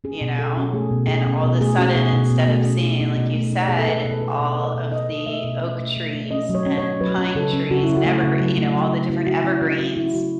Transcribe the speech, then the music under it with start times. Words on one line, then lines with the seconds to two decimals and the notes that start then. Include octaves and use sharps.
you know? And all the sudden, instead of seeing, like you said, all of the oak trees and pine trees and evergree you know, all the different evergreens.
0.04 C#4 G#4
0.21 B2
0.39 B2 A4
0.57 C#4
0.73 A3 G#4
0.91 B2
1.08 B2 G#4
1.27 C#4
1.44 B2
1.60 A3 G#4
1.78 C#4 F#4
1.96 B2 G#4
2.13 B2
2.31 B2
2.48 A3
2.65 C#4
2.83 D#4
3.00 D#4
3.18 B2
3.35 A3
3.53 D#4
3.68 B2 G#4
3.79 A4
3.87 B2 B4
4.05 B2
4.11 A4
4.22 A3 B4
4.39 B2
4.57 A3
4.74 B2
4.92 D#4 D#5
5.09 B2
5.26 A3 E5
5.44 B2
5.61 C#4
5.79 A3
5.97 A3
6.14 A3
6.31 C#4 D#5
6.49 F#3
6.55 C#5
6.66 C#4
6.77 C#5
6.83 C#4
7.01 F#3 B4
7.18 C#4
7.35 C#3 A4
7.53 C#4
7.70 C#3 F#4
7.83 E4
7.88 C#4
7.97 F#4
8.05 A3
8.23 C#3
8.40 F#3
8.58 A3
8.75 F#3
8.93 F#3
9.09 C#4 E4
9.27 A3 F#4
9.44 C#4 E4
9.62 C#4 F#4
9.79 E4 F#4
9.97 C#4 E4
10.14 F#3 F#4